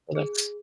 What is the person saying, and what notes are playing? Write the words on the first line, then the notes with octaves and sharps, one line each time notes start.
So, that's
G#4